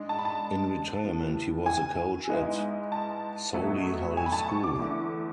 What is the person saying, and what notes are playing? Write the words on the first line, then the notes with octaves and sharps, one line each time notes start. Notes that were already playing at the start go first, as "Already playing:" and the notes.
In retirement he was a coach at Solihull School.
Already playing: G#2 G#3 D4
A5
B5
A5
A2 E3 B3
G#5
G#2 G#3 B3 E4
A5
B2 F#3 A3
G#5
B5
A5
C#6
D6
E2 D3 A3